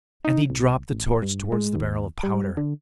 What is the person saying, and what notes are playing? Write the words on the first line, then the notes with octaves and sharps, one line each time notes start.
And he dropped the torch towards the barrel of powder.
D#4
C2
A1
G2
G#3
D#2
G3
D3